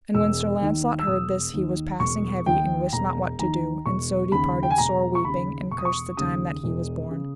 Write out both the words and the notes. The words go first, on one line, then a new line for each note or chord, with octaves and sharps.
And when Sir Launcelot heard this he was passing heavy and wist not what to do, and so departed sore weeping, and cursed the time that he was born.
E1 E6
D#2 D#3
E6
E1 D#6
D#2 D#3
E1 C#6
D#2 D#3 G5
E1 A#5
D#2 D#3 A#5
E1 C#6
D#2 C#3 B5
G5
G#5
E1 A#5
C#6
D#2 C#3 B5
E1 C#6
D#6
C#6
D#2 C#3 D#6
E1
C#3